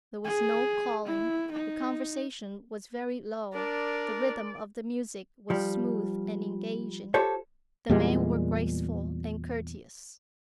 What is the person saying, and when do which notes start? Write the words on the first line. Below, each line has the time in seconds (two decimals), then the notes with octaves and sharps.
There was no calling, the conversation was very low, the rhythm of the music was smooth and engaging, the men were graceful and courteous.
0.25 G#4
1.05 E4
1.51 D#4
3.53 D4 A#4 D5
5.50 F3 G3
7.14 F4 G4 A4 C5 C#5
7.89 E2 A#2 G3 G#3